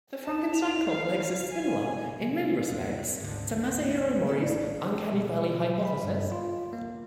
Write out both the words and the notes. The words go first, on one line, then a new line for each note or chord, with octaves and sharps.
The "Frankenstein Complex" is similar in many respects to Masahiro Mori's uncanny valley hypothesis.
A5
F7
F5
G#5
C3 D#3 F#3
D#2 C3 G#3
G#1 D2 G#2 C3 D4
E3 A4
A1 D4
B2
F#3
B5
G2
F4
A#3